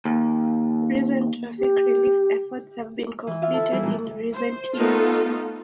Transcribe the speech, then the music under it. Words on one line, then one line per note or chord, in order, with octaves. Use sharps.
Recent traffic relief efforts have been completed in recent years.
D#2
G4
E3
F4 E5 F5
E4 A4
E3 G3 E4 G#4
A#2 F3 G#3
C5
A3 B3 D#4 F4 A4